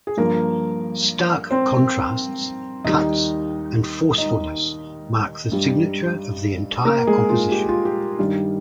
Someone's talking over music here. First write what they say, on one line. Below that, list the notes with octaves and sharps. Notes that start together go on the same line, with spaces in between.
Stark contrasts, cuts and forcefulness mark the signature of the entire composition.
G#4
G2 F3 A#3 A#4
C4 C5
D#2 D#3 G3 D#4 D#5
D#4 D#5
G2 G3
A#3 A#4
G#3 G#4
F4
G4
F4
G4
G2 D#3 G3